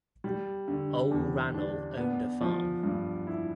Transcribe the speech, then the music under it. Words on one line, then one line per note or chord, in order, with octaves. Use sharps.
Ole Ran'l owned a farm.
G3
D3
E2
D4
B3
F3
G2
E4